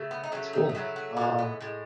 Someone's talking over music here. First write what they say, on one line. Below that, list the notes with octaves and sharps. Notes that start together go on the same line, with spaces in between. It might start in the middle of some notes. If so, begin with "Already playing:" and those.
that's cool, man. Um
Already playing: C#3 A3
B3
D#4
C#3 F#3 A3 C#4
D#4
D#4
C#3 F#3 A3 E4
F#4
A2 G#3 F#4
B3
A2 G#3